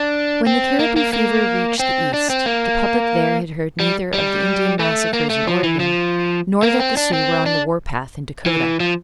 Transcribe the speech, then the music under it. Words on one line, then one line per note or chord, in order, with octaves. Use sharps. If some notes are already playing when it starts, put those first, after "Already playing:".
When the Cariboo fever reached the East, the public there had heard neither of the Indian massacres in Oregon nor that the Sioux were on the war-path in Dakota.
Already playing: D4
C4
A#3
A#3
A#3
C4
D4
C4
A#3
G3
G3
A3
A#3
A3
F3
E3
F3
A#3
C4
D4
C4
D4
E3
F3